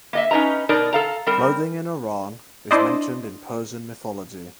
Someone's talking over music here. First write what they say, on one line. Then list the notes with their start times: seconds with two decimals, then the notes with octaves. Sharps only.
Clothing in Iran is mentioned in Persian mythology.
0.13 A#3 D#5 E5
0.31 C#4 D#4 B4 D#5 A#5
0.69 B2 D#4 A#4 D5
0.93 A4 F5 A#5
1.26 G3 C4 A#4
2.71 D4 E4 C5 D5 D#5